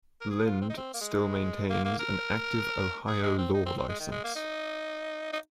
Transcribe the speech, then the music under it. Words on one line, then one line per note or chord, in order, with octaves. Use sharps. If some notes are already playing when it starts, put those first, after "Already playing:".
Lynd still maintains an active Ohio law license.
A#4
G#4
F4
C4
D#4
C4
A#3
G#3
A#3
A#3
A#4
G#4
G#3
C4
D#4
C4
C4
G#3
D#3
G#3
A#3
D#4
D#4